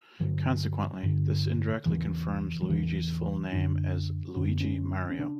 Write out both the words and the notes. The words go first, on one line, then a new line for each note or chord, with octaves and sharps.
Consequently, this indirectly confirms Luigi's full name as Luigi Mario.
G2 D3 F#3
G2 D3
E2 C#3 E3
F#3
E2 C#3 E3
F#2 D3 D4
F#2 D3 C#4
B3
C#4
C#4
C#3 D4